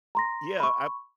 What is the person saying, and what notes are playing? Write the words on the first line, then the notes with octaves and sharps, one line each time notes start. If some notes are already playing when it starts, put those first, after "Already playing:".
yeah, I
A#5 C6 A#6
B5 C#6